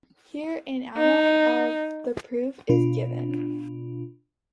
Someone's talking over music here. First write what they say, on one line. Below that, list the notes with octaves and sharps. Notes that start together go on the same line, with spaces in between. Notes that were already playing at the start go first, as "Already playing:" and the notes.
Here an outline of the proof is given.
D#4
B2 D4 F4